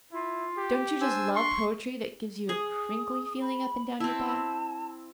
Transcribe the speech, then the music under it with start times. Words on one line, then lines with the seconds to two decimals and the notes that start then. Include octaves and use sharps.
Don't you just love poetry that gives you a crinkly feeling up and down your back?
0.12 E4 F4
0.57 G4
1.01 D4 C5 G#5 E6
1.35 C6 C#6
2.49 G#4 D#6
3.41 B5
4.00 C4 E4 A5